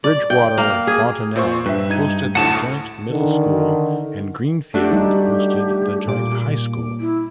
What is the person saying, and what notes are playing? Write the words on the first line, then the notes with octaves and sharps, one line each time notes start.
Bridgewater–Fontanelle hosted the joint middle school and Greenfield hosted the joint high school.
D5
G5
A#3
G#4
A#2 C5 C#6
G2 B4 E5
D#4 G#6 D#7
D2 A2 F#5 A5
D3 D#3
A3 D4 F#4 G4
G3 D#4
A#2 D6
E4